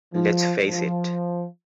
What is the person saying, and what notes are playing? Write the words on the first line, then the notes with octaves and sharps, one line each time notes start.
Let’s face it!
F3
F3